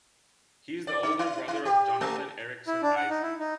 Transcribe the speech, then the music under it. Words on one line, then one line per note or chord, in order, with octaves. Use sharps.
He is the older brother of Jonathan Erickson Eisley.
D5
D#4
E4
E4
G4
A3
E4
D4
F#5
D#4
E4
D#4